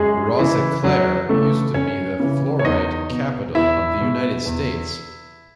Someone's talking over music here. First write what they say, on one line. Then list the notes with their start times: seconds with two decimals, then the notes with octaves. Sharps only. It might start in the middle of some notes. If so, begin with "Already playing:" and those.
Rosiclare used to be the fluorite capital of the United States.
Already playing: F#2 G#3 G#4
0.39 C#3 E3 E4
0.84 F#2 F#3 F#4
1.29 C#3 E3 A3 A4
1.74 F#2 C#4 C#5
2.20 C#3 E3
2.59 C#5
2.65 E2 D#4 D#5
3.10 B2
3.55 E2 E4 E5
4.01 B2
4.45 E2